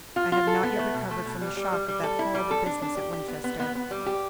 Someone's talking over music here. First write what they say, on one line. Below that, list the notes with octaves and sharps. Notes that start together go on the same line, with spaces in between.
I have not yet recovered from the shock of that horrible business at Winchester.
F4
F4
A4
B3
A3
B2
A3
B2
G3
G3
G3
G3
A4
E4
G3
A4
D4
D4
G4
G4
B3
B3
B3
B3
G3
G4